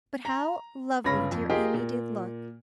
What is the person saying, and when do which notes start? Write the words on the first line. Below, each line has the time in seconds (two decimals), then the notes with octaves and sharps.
But how lovely dear Amy did look.'
0.25 A#5
1.04 G1 C#3 C#5 B5 A#6
1.31 F2
1.50 F4 G4 G#4 A#4 D#5 G5
1.74 A#2